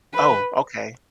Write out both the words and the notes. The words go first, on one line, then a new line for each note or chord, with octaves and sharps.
Oh, okay.
B4